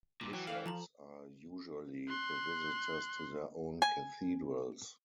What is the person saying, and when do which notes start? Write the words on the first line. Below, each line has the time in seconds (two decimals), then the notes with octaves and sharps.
Bishops are usually the visitors to their own cathedrals.
0.21 G2 A#2 D6
0.33 E3 F#3 G5
0.47 A4 C5 F5
0.66 F3 A5 A#5 F#7
2.09 C6 F#6
3.82 G#5